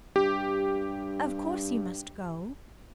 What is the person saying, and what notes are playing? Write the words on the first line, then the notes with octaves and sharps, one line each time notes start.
Of course you must go.
G2 G4